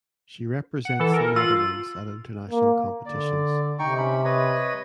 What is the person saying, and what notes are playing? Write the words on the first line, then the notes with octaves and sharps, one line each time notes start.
She represents the Netherlands at international competitions.
F#5
E3 A4
A#4
F4 E6
A#3
D3 D5
C3 D#4 G5 C#6
C#4 B5
B4 C#5 D#5